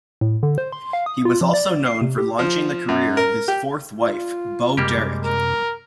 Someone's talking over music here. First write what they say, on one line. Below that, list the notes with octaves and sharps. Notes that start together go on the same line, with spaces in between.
He was also known for launching the career of his fourth wife, Bo Derek.
A2
D3
C5
C6
F5
D#6
F4
F3
D5
C7
C3
G4
F3
F#2
A#4
G4
F4
F#2 C3 G3 G#3 A#3 G4
A#4